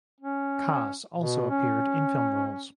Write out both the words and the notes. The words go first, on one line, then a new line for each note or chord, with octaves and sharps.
Kaas also appeared in film roles.
C#4
B2
C#4